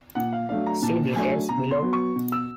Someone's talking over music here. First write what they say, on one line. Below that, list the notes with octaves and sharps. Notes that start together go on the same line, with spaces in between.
See details below.
A#2 F#5
F5
F#3 A3 D4 F5
A#5
A#2 A5
F#3 A3 D4 G#5
B2 A#5
C6
F#3 B3
C#6
B2
E6